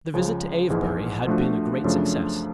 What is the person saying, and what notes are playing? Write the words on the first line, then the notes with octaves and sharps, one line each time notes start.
The visit to Avebury had been a great success.
C#2 C#3 F3
A#1 G#2 E3 G#3
F3 A3 D4 F#4
F#2 C#3 F3 A3 D4